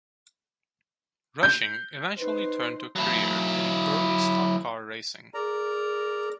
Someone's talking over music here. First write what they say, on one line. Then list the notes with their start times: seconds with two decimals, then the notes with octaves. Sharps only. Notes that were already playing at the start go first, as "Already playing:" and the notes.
Rushing eventually turned to a career in early stock car racing.
1.43 G6
2.18 D#4 B4 C5
2.96 F#3 E4
5.34 G#4 A#4 D5 A#5